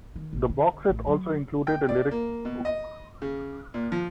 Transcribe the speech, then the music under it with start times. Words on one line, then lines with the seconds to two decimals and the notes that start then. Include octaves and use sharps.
The boxset also included a lyric book.
0.16 D#3
0.33 A1
0.50 D3
0.89 A1
1.07 F#3
1.67 G5
1.89 D5
2.11 A#3
2.45 B2
2.65 D#5
3.22 C#3
3.74 A#2
3.92 F3